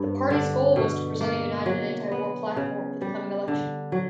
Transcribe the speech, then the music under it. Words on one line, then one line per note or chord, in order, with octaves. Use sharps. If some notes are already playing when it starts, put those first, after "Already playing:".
The party's goal was to present a united anti-war platform for the coming election.
Already playing: G2
D3
B2
A#3
F#3
B3
C#3
G3
D3
F#3